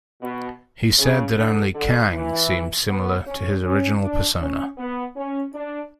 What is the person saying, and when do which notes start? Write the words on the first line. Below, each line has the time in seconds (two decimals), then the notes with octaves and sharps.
He said that only Kang seemed similar to his original persona.
0.22 B2
0.99 C#3
1.36 D3
1.75 D3
2.13 E3
2.88 B3
3.27 C#4
3.64 C#4
4.02 D4
4.40 C#4
4.78 B3
5.16 C#4
5.54 D4